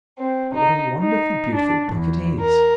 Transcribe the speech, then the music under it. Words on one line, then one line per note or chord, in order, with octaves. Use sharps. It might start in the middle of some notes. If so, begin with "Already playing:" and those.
But what a wonderfully beautiful book it is!
C4
D#4
D#4
D4
E2
A#4